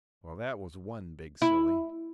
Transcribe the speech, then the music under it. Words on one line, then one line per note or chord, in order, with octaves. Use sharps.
Well, that was one big silly.
E4